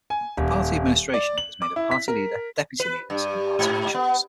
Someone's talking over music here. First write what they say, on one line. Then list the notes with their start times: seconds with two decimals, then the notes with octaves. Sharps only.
The Party Administration is made of the Party Leader, Deputy Leaders and Party officials.
0.10 G#5
0.37 D#1
1.14 D5
1.38 F#7
1.62 D6
1.76 E4
1.91 B6
2.08 A#4
2.80 B4
3.10 G2
3.59 G#2
3.94 B3